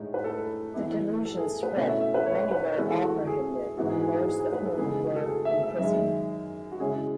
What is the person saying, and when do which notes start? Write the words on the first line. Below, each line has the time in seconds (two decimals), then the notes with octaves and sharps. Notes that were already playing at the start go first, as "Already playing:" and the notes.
The delusion spread, many were apprehended, most of whom were imprisoned.
Already playing: A2 G#3 D#4
0.14 B4
0.24 A4
0.74 E3 B3 E4
1.25 A4
1.38 G#4
1.63 B4
1.75 B2 A3 C#4 E4 C#5
1.88 E5
2.00 E5
2.14 B4
2.26 C#5
2.51 B4
2.76 E3 G#3 B3 E4 A4
2.89 A4
3.02 F#4
3.14 F#4
3.27 G#4
3.77 G#2 E3 G#3 B3 E4 F#4
3.90 G#4
4.02 G#4
4.15 G#4
4.28 G#4
4.40 G#4
4.53 B4
4.65 A4
4.78 C#3 E3 G#3 B3 G#4
5.03 F#4
5.16 A4
5.28 G#4
5.45 E5
5.62 E5
5.79 F#2 D#3 G#3 E5
6.71 F#4
6.80 C#3 G#3 C#4 E4 G#4